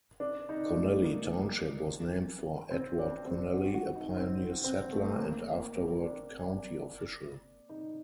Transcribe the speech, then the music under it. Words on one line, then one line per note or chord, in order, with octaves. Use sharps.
Connelly Township was named for Edward Connelly, a pioneer settler and afterward county official.
D4
D#4
A3
A#3
C4
D4
C4
F#4
F#4
D#4
C4
C4
A3
A#3
C4
D4
D#4